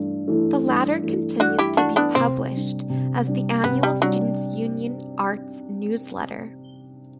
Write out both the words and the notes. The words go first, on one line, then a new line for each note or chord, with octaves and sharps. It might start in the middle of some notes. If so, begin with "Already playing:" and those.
The latter continues to be published as the annual Students' Union arts newsletter.
Already playing: G2 E3 A3
E3 A3
G2
E3 A3
G2 D4 F#4
E4 G4
E3 A3 D4 F#4
B3 D4
C3 C4
G3 D4
C3
G3 D4
C3 B3
G3
F#3 G3 D4